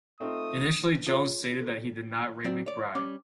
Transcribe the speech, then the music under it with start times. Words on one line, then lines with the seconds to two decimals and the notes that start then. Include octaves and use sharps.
Initially, Jones stated that he did not rape McBride.
0.21 A3 C4 D#4 F4 D#6
1.07 F4 G#4 C#5
1.60 A4
2.44 F#3 C4 D5
2.66 C#5 D5
2.95 G3 C#4 D6